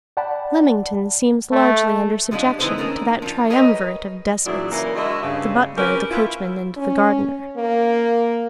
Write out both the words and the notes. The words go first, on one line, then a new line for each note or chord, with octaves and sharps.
Leamington seems largely under subjection to that triumvirate of despots--the Butler, the Coachman and the Gardener.
D5 F#5 G5 A5 B5
A3
F3 G3 G#3 B3 D4 F4
D#3 E3 G#3 B3 G#4 C5
D#3 A#3 C#4 D4 A#4
F3 F4
G#4 A#4 B4 C#5 D#5 G5
A#2 E3 F#3 D4 E4 G#4
C#3 E3 A#3 C#4 E4 A#4
G#3 D4 F#4 D#5 E5
G2 C#3
C4 C#4 F#4 G4 A#4 B4
E4 F4
C#4
A#3